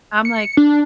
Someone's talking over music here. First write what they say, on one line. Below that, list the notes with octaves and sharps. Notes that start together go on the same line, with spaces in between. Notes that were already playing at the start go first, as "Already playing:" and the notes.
I'm like
C#7
D4